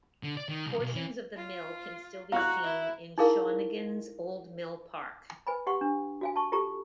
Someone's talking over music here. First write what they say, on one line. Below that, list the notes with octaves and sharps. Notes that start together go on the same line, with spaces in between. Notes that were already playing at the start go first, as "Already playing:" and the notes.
Portions of the mill can still be seen in Shawnigan's Old Mill Park.
D3
D5
D#3
C2
B1
E3
F4
F#4 F5 A#5 F#6
E4
D#4 E4 G#4 A#4 F5
B4 G#5 B5
G4 F#5 C6 C#6
D4
F#4 F5 G#5
A5 C#6
F4 G4 A4 A#5 C#6